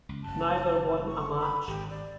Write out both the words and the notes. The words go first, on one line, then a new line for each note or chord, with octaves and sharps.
Neither won a match.
C#2
F#1 F#2 A5
C#6
B5
G#1 G4
D5